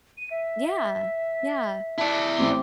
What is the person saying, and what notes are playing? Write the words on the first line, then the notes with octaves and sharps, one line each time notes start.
Yeah, yeah.
D#7
E5
E4 D5 A5
A1 C4 D6 G7